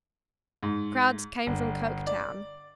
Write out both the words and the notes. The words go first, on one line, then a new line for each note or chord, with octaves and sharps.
Crowds came from Coketown.
G#2
G1
D5